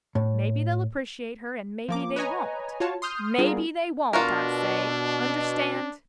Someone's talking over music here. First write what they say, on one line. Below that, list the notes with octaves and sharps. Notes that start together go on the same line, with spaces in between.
Maybe they'll appreciate her, and maybe they won't; maybe they won't, I say; Understand?
A2
F3 A#3 D6
B4 C#5 D#5 G#5 A#5
F4 F#4 C#5 A5
C6 D#6 F6 G6
G3 B3 D4 F4 G#4 A#4
B2 D4 F4 F#4 A#4